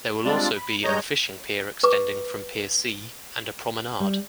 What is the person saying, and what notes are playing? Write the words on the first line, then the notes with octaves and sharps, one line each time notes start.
There will also be a fishing pier extending from Pier C and a promenade.
G3 G#3 C4 D4 F4 D5
B5
G2 G#3 C#5 D#5 A#5 G6
B4 C#6 D6
G3